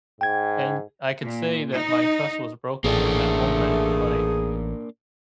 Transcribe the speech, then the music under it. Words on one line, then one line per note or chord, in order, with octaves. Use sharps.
and I could say that my trust was broken in that moment, like
G#2 G5 G#6
A#2
D#4
A1 D3 E3 A3 A#3 D4 G#4